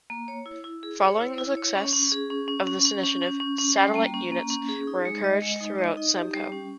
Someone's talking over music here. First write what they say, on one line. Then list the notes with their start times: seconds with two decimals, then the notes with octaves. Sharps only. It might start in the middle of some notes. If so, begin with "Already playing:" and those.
Following the success of this initiative, satellite units were encouraged throughout Semco.
0.10 A#3
0.28 C#5
0.46 E4
0.64 E4
0.83 G#4
1.02 C#5
1.20 E4
1.38 E4
1.57 C#5
1.75 C#4
1.93 C#4
2.12 G#4
2.30 C#4
2.48 C#4
2.67 C#4
2.85 C#4
3.04 C#4
3.22 C#4
3.40 C#4
3.58 C#4
3.76 G3
3.95 A#3
4.14 C#4
4.32 A#3
4.50 C#4
4.69 G#4
4.87 D#4
5.05 G#3
5.24 D#5
5.42 G#3
5.61 D#4
5.78 D#5
5.97 D#4
6.16 G4
6.34 G3
6.52 C#4